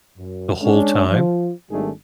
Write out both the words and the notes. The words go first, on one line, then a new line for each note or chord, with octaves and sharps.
The whole time?
F#2
G#3 C#4 D4
F3
G#1 D#3 G3 A3 D4 G#4